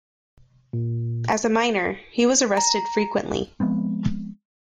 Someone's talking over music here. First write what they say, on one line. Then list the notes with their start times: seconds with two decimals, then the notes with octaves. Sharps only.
As a minor, he was arrested frequently.
0.73 A#2
2.57 A#5
3.60 F3 G#3 B3 C4